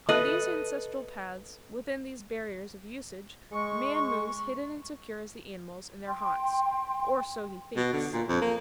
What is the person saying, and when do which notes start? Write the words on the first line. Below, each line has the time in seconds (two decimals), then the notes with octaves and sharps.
On these ancestral paths, within these barriers of usage, man moves hidden and secure as the animals in their haunts--or so he thinks.
0.09 A4 B4 D#5
3.51 G#3 C#6
6.07 G5 C6
7.76 B2
7.93 D3
8.13 A#2
8.28 F2
8.42 A#3